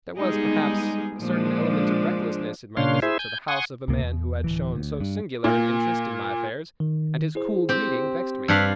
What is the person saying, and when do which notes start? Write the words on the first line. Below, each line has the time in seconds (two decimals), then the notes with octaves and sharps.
There was, perhaps, a certain element of recklessness in my visit to the house of a man who had shown so singular an interest in my affairs, and his cool greeting vexed me.
0.17 G3 G#3 B3 D#4 G#4
1.18 A#2 F3 G#3 D4
2.77 A#2 C#3 D4 C#5 F5 C6
3.02 E4 G#4 C5 E5
3.19 G#5 G6
3.48 F#5 G#5 C6 C#6 D#6
3.88 C#2 A2 C3 A#3
4.02 E2
4.44 D1 C2 E3
4.75 D2
5.00 G2
5.44 A#2 A#3
6.80 D#3
7.35 E4 G#4 C5
7.69 C4 G4
8.48 G2 D4 F5 E6 F6 B6